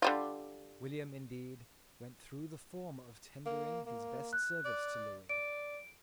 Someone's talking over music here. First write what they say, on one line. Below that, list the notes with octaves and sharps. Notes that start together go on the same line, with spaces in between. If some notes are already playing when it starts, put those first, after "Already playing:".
William, indeed, went through the form of tendering his best services to Lewis.
D3 G3 F4
A#3
A#3
F#6
D5
D5 D7